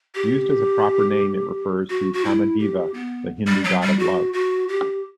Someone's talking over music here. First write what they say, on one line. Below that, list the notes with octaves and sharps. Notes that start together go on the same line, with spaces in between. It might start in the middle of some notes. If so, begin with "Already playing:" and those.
Used as a proper name it refers to Kamadeva, the Hindu god of Love.
G4
F#4
F#4
E4
G4
B3
G3
F#3
G3
F#4
F#4
G4